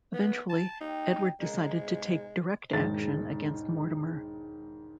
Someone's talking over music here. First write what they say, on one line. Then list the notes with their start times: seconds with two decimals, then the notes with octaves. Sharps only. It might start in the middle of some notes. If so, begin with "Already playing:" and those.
Eventually, Edward decided to take direct action against Mortimer.
0.14 B3
0.50 A5
0.81 D#4 G5
1.41 D3 G#3 A#4 A#5
1.74 G#2 B2
2.73 E1 G#2 D#3 A6